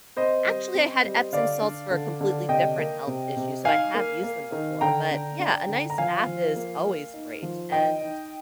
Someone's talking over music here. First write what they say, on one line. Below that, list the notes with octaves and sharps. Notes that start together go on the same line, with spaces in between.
actually, I had Epsom salts for a completely different health issue, so I have used them before. But, yeah, a nice bath is always great and
C4 C5 D#5
G3
C4
G3
D3 D5 F5
D4
D3
D3
C3 D#5 G5
A#3
C3
C3
D#4 F5 G#5
A#3
A#3
D#3
D3 G5 A#5
D3
D4
D3
A#5
F3 F5 G#5
F3
A#3
A#3
D#4
F3
D#4 D#5 G5
D#4